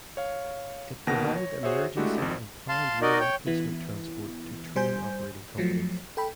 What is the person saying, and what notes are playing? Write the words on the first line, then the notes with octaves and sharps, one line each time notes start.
It provided emergency and planned rail replacement transport to train operating companies.
C#5 F5
D#2 B2 A#4 F#5 A#6
C#5
F#4 G#4 C5 C#5 E5
G#3 A3 D4 E4 F#4 G4
G#1 F2
F5 A5 C6
D#4 F#4 A#4 D5 D#5
C#5 G5
E3 B3 E4
G3 C5 G#5 G6
F3 F#3 A3
A4 G5 B5